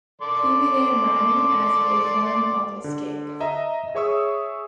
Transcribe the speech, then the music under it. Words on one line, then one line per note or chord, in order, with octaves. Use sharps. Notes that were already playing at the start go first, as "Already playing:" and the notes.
He began rhyming as a form of escape.
A4 D5 C6
D3
D#5 E5 A#5
G#4 C#5 E5 C#6 D#6 E6